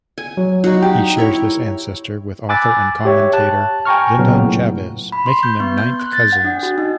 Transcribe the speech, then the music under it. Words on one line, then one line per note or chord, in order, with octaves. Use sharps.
He shares this ancestor with author and commentator Linda Chavez, making them ninth cousins.
G#5
F#3
D#4 F#4
G4 G5
E4 A#4 C#5
G#5 B5 D6 E6 F#6 A6
G4 C#5 E5
A5 F#6
G5 G#5 A#5 C#6 F6
A#2 C#3 F#3 B3
A2
B5
C6
G6
B3
G6
F#6
A6
F#5
D4
F#4
D#4